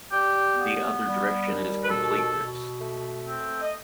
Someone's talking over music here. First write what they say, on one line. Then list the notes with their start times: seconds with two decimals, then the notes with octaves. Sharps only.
The other direction is completeness.
0.10 G3 G4
0.56 B3
1.01 G3
1.46 D#2
1.82 B4
1.90 B2 A4
2.35 B2
2.80 A3
3.25 C4
3.61 D#5